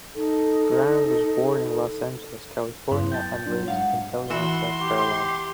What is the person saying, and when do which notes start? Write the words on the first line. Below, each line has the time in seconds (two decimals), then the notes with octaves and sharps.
Graham was born in Los Angeles, California, and raised in Pelion, South Carolina.
0.15 D#4 A4
2.91 G2 F#3 B3 E4 C6
3.12 G5 A5 G6 A6
3.46 F#3 D4 C6
3.68 G#2 F5 F#5
4.30 E3 F#4 E5 C6
4.81 G4